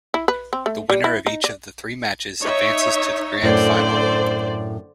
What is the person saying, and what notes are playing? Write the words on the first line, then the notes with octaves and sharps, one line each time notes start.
The winner of each of the three matches advances to the Grand Final.
E4
B4
C4
A3
G3
E4
D#4
D5
D#4 C#5 E5
F#2 A2 D3 C5 D5